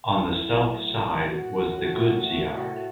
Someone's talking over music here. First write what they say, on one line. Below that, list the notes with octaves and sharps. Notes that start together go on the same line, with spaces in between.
On the south side was the goods yard.
A2 F#3 A3 E4
E4
F#4
A2 A3